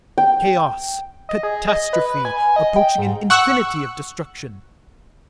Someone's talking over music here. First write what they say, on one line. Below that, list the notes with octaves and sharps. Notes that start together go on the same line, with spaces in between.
Chaos, catastrophe, approaching an infinity of destruction.
G5
D#5
G#4
D#5
B4
G#5
D#5
G5
G#2
F#5 C#6 E6 F#6